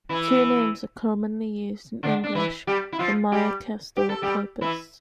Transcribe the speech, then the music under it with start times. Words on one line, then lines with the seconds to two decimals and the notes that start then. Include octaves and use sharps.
Two names are commonly used in English for "Myocastor coypus".
0.09 E3 E4
2.03 D3 D4
2.24 D4
2.35 E3 E4
2.67 G3 G4
2.92 E4
2.99 F3 F4
3.32 G3 G4
3.97 G4
4.09 A4
4.22 G3 G4
4.61 E3 E4